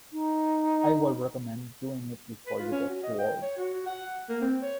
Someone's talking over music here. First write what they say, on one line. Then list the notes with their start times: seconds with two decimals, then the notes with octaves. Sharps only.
I would recommend doing it before you get too old.
0.13 D#4
2.47 B4
2.59 F4
2.72 C#4
2.89 F#4
3.03 D#5
3.19 G5
3.42 C#5
3.57 F#4
3.86 F#5
4.29 A#3
4.41 C4
4.62 C#5